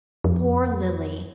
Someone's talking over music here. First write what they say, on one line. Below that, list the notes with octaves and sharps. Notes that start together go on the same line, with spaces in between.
Poor Lily!
F2